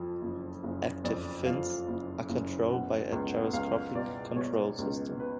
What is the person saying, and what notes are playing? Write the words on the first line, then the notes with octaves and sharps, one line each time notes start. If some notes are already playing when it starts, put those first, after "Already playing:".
"Active fins" are controlled by a gyroscopic control system.
Already playing: F2 F3
F#1
F#1
F2 D5
F3 F5
F#1
F#1
B2 F#5
C#2
C#2 F5
B2 D5
B2 C#5
C#2
B4